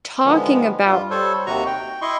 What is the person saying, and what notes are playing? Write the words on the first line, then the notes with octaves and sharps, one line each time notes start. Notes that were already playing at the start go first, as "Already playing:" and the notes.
talking about
D3 D#3 F3 G#3 B3
G2 G3 F4
G3 A4 C5 C#5
D#2 C3 D#3 F#4 A#5 C#6
G5
E4 D#5 C6 C#6